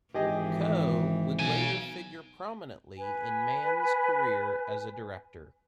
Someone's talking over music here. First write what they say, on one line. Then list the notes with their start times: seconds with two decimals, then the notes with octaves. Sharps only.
Coe would later figure prominently in Mann's career as a director.
0.14 G#1 E3 G4 G#4 D#5
1.39 B1 F5 G#5
2.98 B4 G#5